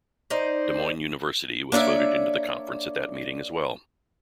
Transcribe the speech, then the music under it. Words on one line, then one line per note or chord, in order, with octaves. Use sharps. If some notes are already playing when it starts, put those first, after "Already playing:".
Des Moines University was voted into the conference at that meeting as well.
D#4 C5 D5
A#3 D4 C#5 D5 E5